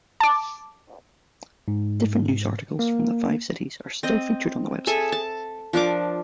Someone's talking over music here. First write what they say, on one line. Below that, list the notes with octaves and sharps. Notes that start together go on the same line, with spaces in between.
Different news articles from the five cities are still featured on the website.
A5 D6
G#2
A#3
C4 D#5
G#4 A4 E5
A5
F3 D4 A#4 D6